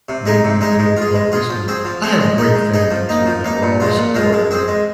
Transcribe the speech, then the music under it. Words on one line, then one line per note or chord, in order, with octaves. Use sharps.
made me feel focused and I have great family too that were always supportive and
C3
G#3 D#4 G#4
C3
G#3 D#4 G#4
G#3
F4
G#4
G#3
F4 G#4
F3
C4 G#4
F3
C4 G#4
G#3
D#4 G#4
G#3
D#4 G#4
F3
A#3 D#4
F3
A#3 D#4
A#2
F3 G#3 F4
A#2
F3 G#3 F4
G#3
C4 G#4
G#3